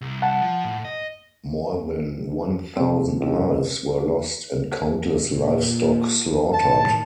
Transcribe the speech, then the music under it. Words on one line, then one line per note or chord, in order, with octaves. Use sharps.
More than one thousand lives were lost, and countless livestock slaughtered.
C2
F#5 A5
F3
A2
D#5
C3 C4
C#2
A#2
A2 D#3 A5